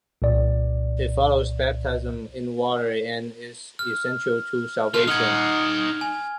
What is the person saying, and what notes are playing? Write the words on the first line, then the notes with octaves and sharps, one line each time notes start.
It follows baptism in water and is essential to salvation.
C2 A#2 D5
F6
A3 F4 F6
D#4 F#5 F6 G#6
G#5